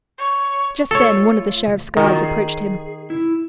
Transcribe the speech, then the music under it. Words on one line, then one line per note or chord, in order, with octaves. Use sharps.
Just then one of the Sheriff's guards approached him.
C#5
A3 F4 A4 C#5
D#3 F4 F#4 A#4
G#4
E4